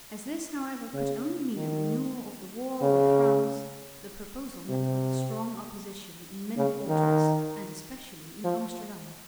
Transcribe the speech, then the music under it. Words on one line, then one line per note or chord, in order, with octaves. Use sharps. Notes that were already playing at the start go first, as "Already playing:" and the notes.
As this, however, could only mean a renewal of the war with France, the proposal met with strong opposition in many quarters, and especially in Amsterdam.
C#3
D#3
C#3
C3
C#3
D#3
F3